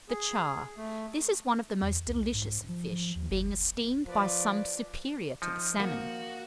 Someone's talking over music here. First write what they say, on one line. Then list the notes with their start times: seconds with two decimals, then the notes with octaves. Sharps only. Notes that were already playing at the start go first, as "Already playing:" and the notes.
THE CHAR.--This is one of the most delicious of fish, being esteemed by some superior to the salmon.
0.09 G#4
0.77 A3
1.82 E2
2.07 C2
2.34 G#2
2.68 F3
2.91 F3
3.15 D#2
3.30 F#1
4.06 F3 B4 D5
5.42 F3 D#4
5.80 A#3 F#4